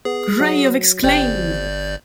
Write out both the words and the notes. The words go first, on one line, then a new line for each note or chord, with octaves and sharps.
Gray of Exclaim!
B3 G#4
F#3
G1 C4 G4 D5 G6